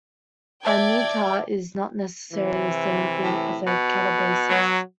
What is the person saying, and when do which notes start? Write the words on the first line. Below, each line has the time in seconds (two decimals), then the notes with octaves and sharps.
A "nekyia" is not necessarily the same thing as a "katabasis".
0.65 D5 E5 G5 A5 G#6
2.32 C3 E3
3.24 A2
3.67 B2
4.49 F#3